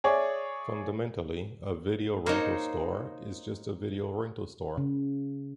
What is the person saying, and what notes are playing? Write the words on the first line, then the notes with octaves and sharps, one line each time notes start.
Fundamentally, a video rental store is just a video rental store.
G#4 C#5 D5 E5
A#3 D#4 C5 C#5
C#3